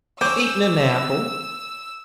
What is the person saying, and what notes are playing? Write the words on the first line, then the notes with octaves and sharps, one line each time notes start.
"Eatin' 'n apple."
C4 C#4 D6 E6 G6 D#7